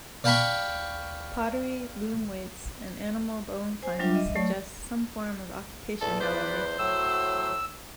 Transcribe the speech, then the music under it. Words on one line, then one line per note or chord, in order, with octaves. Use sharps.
Pottery, loom weights and animal bone finds suggest some form of occupation however.
D5 F5 G5 A5 B5 C#6
C5 G#5
F#3 G3 D4 F4 E5 D6
D#5 E5
F#3 A3 C#5 D5 C#6
E2 A#2 A4
B4 C5 D5 B5
A2 F#3 E6